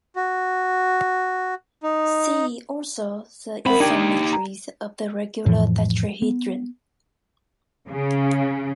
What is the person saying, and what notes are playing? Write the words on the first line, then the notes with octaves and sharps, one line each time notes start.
See also the isometries of the regular tetrahedron.
F#4
D#4
E2 C4 A#4 E5 F#5 B5
D4 D#4 G4 G5 G#6 F#7
A#5
F2 A2 E3 F3
B3
C#3